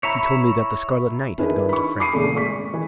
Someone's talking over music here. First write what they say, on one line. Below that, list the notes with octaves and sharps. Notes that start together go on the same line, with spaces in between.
"He told me that the Scarlet Knight had gone to France."
E4 C#5 E5 A#5 B5
D#3 D4 E4 G#4 B4
B5 C#6
B5 D6 D#6 C7 C#7 D#7
E2 A#2 C#3 A3
G#1 C#6 B6
E3